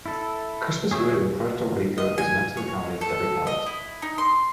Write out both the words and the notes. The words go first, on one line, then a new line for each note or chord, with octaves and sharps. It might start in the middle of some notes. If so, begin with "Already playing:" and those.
Christmas food in Puerto Rico is meant to accommodate every palate.
E4 A4
G#4 C#5 E5 G5
D#5
G#5
C#5
A4
D#5
E4
D#4
C6